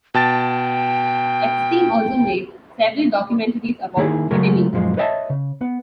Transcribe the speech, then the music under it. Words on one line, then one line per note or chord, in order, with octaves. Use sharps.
Epstein also made several documentaries about Brittany.
B2 G5 A5 A6
D#3 A#3 E4 G#4
C#3 F#3 G#3 A3 G#4 A#4
F#2 A#2 F3 G#3
B4 C#5 D#5 E5 G5 A5
C#3
B3